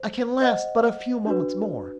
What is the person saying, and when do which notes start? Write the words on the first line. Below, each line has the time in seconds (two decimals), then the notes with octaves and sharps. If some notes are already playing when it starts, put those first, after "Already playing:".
I can last but a few moments more.
Already playing: C5
0.40 C5 D#5 F#5
1.26 D4 F#4 B4